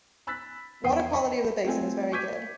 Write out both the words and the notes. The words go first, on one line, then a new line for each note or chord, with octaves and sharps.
Water quality of the basin is very good.
B5 E6 F#6 A6 B6
E2 G5 D#6 C7
D#5 B5 C#6
A3 C4 F4 A4 G5 G#5
C#6 D6 G6 G#6 B6 D#7